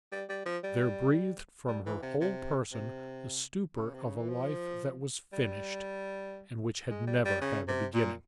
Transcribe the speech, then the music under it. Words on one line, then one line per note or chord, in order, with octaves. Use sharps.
There breathed from her whole person the stupor of a life that was finished, and which had never had a beginning.
G3
G3
F3
G3
G3
E3
C3
C3
C3
C#3
C3
C#3
E3
F3
G3
G#3
G3
G3
C#3
C3
A#2